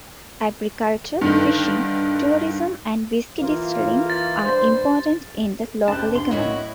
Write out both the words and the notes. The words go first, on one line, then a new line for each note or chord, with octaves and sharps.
Agriculture, fishing, tourism and whisky distilling are important in the local economy.
G2 D3 D#3
E3 A#3 F4
A6
G2 C5
F#1 G4 A5 F#6
D2 C6
F#2 A2 E4 F#4 A#4 C#5 D#5 B5